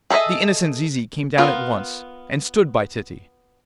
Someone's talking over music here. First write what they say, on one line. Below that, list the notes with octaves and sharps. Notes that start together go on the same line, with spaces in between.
The innocent Zizi came down at once, and stood by Titty.
G#4 A4 B4 D#5 E5
B3 F4 A#4